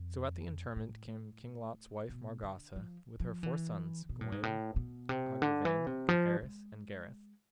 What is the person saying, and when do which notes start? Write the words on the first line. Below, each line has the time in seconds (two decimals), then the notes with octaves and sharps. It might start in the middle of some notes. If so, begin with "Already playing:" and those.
SO at the interment came King Lot's wife Margawse with her four sons, Gawaine, Agravaine, Gaheris, and Gareth.
Already playing: F2
0.76 A2
2.09 B2
2.43 D3
2.76 F3
3.20 F3
3.43 E3
4.09 B2
4.21 A2
4.32 G#2
4.43 A2
4.76 B2
5.09 C3
5.42 D3
5.65 E3
5.87 C3
6.09 F3
6.42 G#3